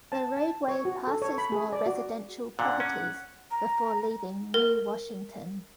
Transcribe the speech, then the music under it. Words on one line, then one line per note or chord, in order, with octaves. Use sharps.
The roadway passes more residential properties, before leaving New Washington.
A5
A5
C#5
F#4
A4
C#5
B5
G#4
D5
F#4
A#2 D3 F#5
C#4
A#5
A#4